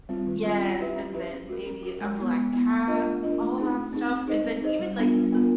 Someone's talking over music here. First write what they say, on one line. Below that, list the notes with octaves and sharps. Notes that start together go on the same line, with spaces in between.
Yes. And then maybe a black cat, all that stuff. And then even, like,
G3 C4 F4
D#3
G3 C4 F4
C#4
E4 G4 B4 E5
C#4
E4 G4 B4 E5
C#4
F#4 A#4
C#4
F#4 A#4
G#3
B3 E4
G#3
B3 E4
A3
D4 F4 A#4 D#5
A3
D4 F4 A#4 D#5
A3
C4 D#4 G#4
A3
C4 D#4 G#4
C4
D#4 G#4 C5 D#5
C4
D#4 G#4 C5 D#5
G3
B3 D4 F4 A#4
G3
B3 D4 F4 A#4